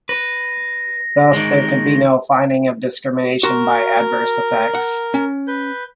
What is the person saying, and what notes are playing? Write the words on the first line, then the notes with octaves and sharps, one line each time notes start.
Thus, there could be no finding of discrimination by adverse effects.
B4 A#6
D#3 G#3
F#4 A#4 C6
F#5
C#4
B4 G6